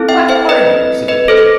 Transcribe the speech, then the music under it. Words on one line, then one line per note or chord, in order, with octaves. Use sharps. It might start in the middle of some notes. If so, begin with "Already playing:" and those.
WHAT are you?' said the Pigeon.
Already playing: C4 E4 A4
E5 G5
C5 E5
B4 D#5
B4 D#5
A4 C5
A4